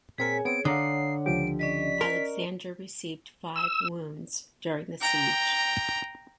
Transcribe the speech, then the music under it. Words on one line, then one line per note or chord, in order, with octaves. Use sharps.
Alexander received five wounds during the siege.
A#2 C4 G#4 A#4 C#5 G#5 B6
B3 C4 G#4 C#5 D7
D3 C#5 F5 F#5 A#5 D#6 C7
C#2 F3 G4 D7
C#4 D5 D#5 B6
A#4
E6
G5 A#5